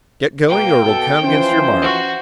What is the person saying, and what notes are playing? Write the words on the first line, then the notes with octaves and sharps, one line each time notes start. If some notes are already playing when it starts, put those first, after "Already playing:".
"Get going or it'll count against your mark!"
B2 A#3 G5
B2 A4
E3 F3 C#4 C5
F#4